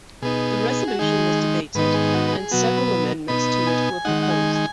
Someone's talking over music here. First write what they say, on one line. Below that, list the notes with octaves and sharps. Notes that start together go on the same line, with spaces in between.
The resolution was debated and several amendments to it were proposed.
B2 B3 D#4 G#4
F#4
D#3 G#3 D#4 G#4
G#2 D#3 B3 D#4 B4
G#4
F#4
B4
G#4
B2 F#3 B3 F#4
B4
B2 B3 D#4 B5
G#5
D#3 G#3 D#4 F#5
F#5
G#5
G#5